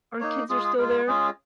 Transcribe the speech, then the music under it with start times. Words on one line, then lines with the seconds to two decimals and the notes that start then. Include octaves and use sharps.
our kids are still there
0.20 A#3 D#4 C#5
0.50 G#3 F4 G#4
0.64 G#4
0.78 G#3 F4 A#4
1.07 G#3 C#4 F4 G#4